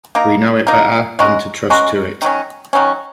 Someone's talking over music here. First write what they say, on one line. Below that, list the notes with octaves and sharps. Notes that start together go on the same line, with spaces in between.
We know it better than to trust to it.
A#3 D#4 A#4
A#3 D#4 A#4
G#3 C#4 F#4 A#4
G#3 C#4 F#4 A#4
D#3 F#3 C#4
D#3 F#3 C#4